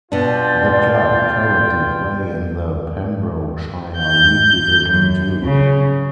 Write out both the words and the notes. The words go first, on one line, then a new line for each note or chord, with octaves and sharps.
The club currently play in the Pembrokeshire League Division Two.
B2 D4 F4 C5 D5 G5
G6
F#2
C#3